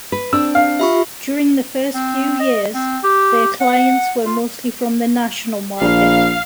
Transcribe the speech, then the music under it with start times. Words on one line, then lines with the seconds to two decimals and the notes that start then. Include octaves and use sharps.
During the first few years, their clients were mostly from the national market.
0.12 B4
0.33 C4 D4 E6
0.55 F5
0.79 F4 G4 E5 B5 C#6
1.94 C4
2.40 D#5
2.75 C4
3.03 G4
3.60 F#5
4.26 F4
5.81 A#1 F5